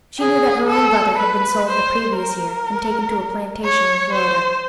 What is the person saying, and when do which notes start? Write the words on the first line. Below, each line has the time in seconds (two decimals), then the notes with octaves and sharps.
She knew that her own brother had been sold the previous year and taken to a plantation in Florida.
0.19 G#4
0.69 A4
1.18 B4
1.68 C5
2.16 A#4
3.64 C#5
4.13 C5